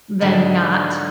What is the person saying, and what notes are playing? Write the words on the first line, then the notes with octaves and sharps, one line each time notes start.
than not,
G#2 D3 E4